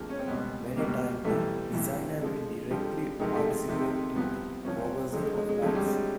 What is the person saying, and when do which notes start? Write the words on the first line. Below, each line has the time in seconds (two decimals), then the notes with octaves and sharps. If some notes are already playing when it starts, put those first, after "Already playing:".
Many times the designer will directly participate in the focusing of lights.
Already playing: D2 D3 F3 G#3 A#3
0.10 C#4
0.19 C4
0.28 C#2 B2 G3 B3
0.76 C#2 B2 G3 A#3
1.25 B1 A2 E3 G3 A3
1.73 B1 A2 E3 G3
2.22 F2 D3 F3 G#3
2.71 F2 D3 F3 G3
3.19 F2 C3 D#3 G#3
3.35 A3
3.68 F2 C3 D#3
4.15 C2 C3 F3 B3
4.65 C2 C3 F3 C#4
4.80 C4
5.12 F2 D3 F#3 G#3
5.25 G#3
5.37 G#3
5.49 G#3
5.62 F2 D3 F#3 A3
5.75 G3
5.86 G#3